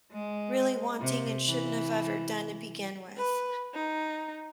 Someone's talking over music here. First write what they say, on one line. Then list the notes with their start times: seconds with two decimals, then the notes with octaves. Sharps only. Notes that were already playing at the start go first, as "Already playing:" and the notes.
really wanting and shouldn't have ever done to begin with,
0.12 G#3
1.00 C3
1.47 E3
3.16 B4
3.73 D#4